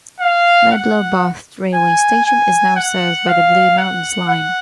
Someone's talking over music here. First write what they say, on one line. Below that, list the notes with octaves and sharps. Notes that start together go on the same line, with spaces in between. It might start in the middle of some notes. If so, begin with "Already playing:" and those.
Medlow Bath railway station is now served by the Blue Mountains Line.
F5
F#5
G#5
G#5
F#5
F5
F#5
F#5